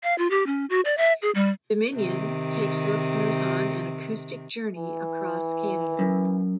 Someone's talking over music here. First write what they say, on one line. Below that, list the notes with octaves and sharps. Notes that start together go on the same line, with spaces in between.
"Dominion" takes listeners on an acoustic journey across Canada.
F5
F4
G4
C#4
F#4
D5
E5
G#4
G3
C3 D#3
E3
F#2